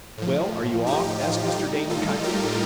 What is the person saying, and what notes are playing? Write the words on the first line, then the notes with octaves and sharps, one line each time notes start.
"Well, are you off?" asked Mr. Damon, kindly.
A2 F3
D#4 G4
F4
A2 G3 D#4 G4
F4 A4
G4 A#4